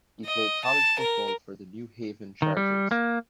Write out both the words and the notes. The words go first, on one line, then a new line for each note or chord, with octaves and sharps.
He played college football for the New Haven Chargers.
D#5
A5
A#4
D#3
G3
A#3